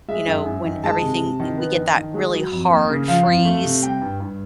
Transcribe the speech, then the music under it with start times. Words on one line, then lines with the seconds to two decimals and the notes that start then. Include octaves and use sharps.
you know, when everything i we get that really hard freeze.
0.08 G#3 E5
0.27 F#2
0.46 F#2
0.65 D#3
0.84 G#3 A5
1.02 C3
1.20 C3
1.40 D#3
1.58 B3
1.77 D#3
1.95 D#3
2.14 G#3
2.33 F#3
2.52 F2
2.70 A#3
2.89 C#3
3.08 F3 F5
3.27 F2
3.45 A3
3.64 C3
3.83 G3 G5
4.01 G2
4.20 G2